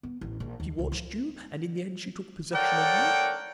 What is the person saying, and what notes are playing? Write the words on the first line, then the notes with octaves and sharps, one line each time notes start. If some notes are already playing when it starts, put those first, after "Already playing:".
She watched you, and in the end she took possession of you?
B3
A1
A#1
D#2
C#2
F3
A4 A#4 C#5 D5 F#5 G5